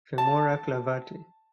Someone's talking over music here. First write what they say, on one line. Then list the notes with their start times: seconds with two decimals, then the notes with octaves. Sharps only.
Femora clavate.
0.18 A5